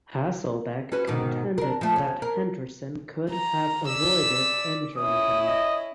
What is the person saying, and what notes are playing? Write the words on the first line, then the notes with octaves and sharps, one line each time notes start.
Hasselbeck contended that Henderson could have avoided injuring him.
C#4 F#4 B4
G#2 B2 D#3
D4 A#4
F3 A3
C#4
A#4
A#5
D5 E6 B6
C#4 E4 D#6
D#5